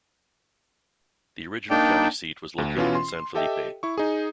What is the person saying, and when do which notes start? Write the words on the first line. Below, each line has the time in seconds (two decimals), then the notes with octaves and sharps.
The original county seat was located in San Felipe.
1.70 A#3 D4 D#4 D5 G5
2.58 D2
2.77 B2 E3 C#4 F4
2.95 C6
3.35 G4 A4 D#5 E5 G5
3.83 E4 C#6
3.98 D#4 G#4